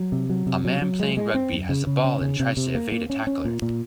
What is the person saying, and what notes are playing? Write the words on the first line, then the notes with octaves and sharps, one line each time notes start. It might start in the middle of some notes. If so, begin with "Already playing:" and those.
A man playing rugby has the ball and tries to evade a tackler.
Already playing: F#3
C3
F#3
C3
F#3
F#3
G#3
G#3
C4
F#2
C#3
C#3
C#4
C#3
C3
C3
A#3
A#3
C#4
C#4
A#2
A#2